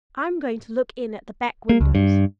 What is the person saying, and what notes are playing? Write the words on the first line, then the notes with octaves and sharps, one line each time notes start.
I'm going to look in at the back windows.
A#3
C#2
G2